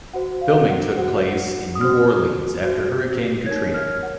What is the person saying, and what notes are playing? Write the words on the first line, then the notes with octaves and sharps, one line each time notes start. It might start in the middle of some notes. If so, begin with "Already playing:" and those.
Filming took place in New Orleans after Hurricane Katrina.
F#4 C5 F#5
F5
F#5
F#4 C5 F#5
D#6
F#4 C5 F6
F#4 C5
D#4 A#4 C#5 G#6
F6
F#5